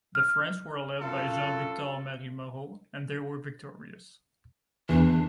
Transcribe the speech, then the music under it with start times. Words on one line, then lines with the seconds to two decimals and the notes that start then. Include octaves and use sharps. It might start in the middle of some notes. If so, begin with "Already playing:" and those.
The French were led by Jean Victor Marie Moreau, and they were victorious.
0.15 F6
1.00 F#2 F4 A4
4.89 E2 E3 D4